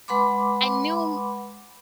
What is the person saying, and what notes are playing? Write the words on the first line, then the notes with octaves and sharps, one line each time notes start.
I knew him
G#3 B4 F#5 B5 C6 D6